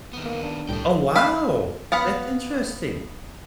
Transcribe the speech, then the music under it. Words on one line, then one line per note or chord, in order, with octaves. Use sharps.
Oh, wow! That's interesting.
D#3 B3
A#3
D4
C2 A2 G3 A4 G5
F5 B5
B3 F5 F#5 B5